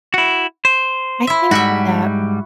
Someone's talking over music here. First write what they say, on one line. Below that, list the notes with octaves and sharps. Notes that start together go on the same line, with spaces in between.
I think that, w
E4 F#4
C5
E4 E5
G#2 G3 F#4 E5